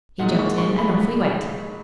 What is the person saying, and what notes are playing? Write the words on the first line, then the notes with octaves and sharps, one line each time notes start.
He jumped in and off we went.
A#2 G#3 D#4 F#5
C#6
C#6
B5